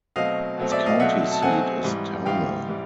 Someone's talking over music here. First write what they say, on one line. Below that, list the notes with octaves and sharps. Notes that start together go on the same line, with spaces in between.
Its county seat is Towner.
B2 F#3 A3 C4 D#5 F5
B2 F#3 A3 C4
D5 E5
D#5 F5
B2 F#3 A3 C4 E5 F#5
A5
B2 F#3 A3 C4 F#5 G#5
G#2 E3 G3
G#2 E3 G3 F5 G5
E3 G3